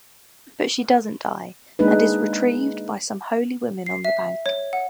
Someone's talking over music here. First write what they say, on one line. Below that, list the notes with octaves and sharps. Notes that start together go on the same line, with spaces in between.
But she doesn't die, and is retrieved by some holy women on the bank.
G#3 A#3 D4 D#4 G#4 B4
C7
E5
C#5
F#5